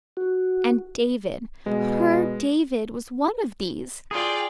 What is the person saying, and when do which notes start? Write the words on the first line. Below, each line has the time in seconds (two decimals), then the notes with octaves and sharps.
And David--her David--was one of these!
0.17 F#4
1.66 B2 G#3
4.11 F4 G#4 D5 G5